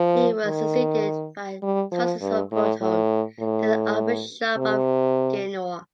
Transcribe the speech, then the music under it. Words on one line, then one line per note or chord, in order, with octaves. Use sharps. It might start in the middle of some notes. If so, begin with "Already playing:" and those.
He was succeeded by Tarcisio Bertone, then Archbishop of Genoa.
Already playing: F3
D#3
G3
F3
G2
A2
A2
A2
C3